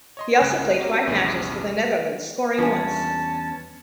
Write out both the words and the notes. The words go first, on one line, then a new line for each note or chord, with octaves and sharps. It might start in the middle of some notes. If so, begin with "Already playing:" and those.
He also played five matches for the Netherlands, scoring once.
C#5 D#5 C6
G1 C#2 C#3 A#4 B4 F#6
C4 F#4 G4 A#4
A#1 E2 G2 C3 C#4 G#5
E2 G3 C#4 D4 F4 G#5 A5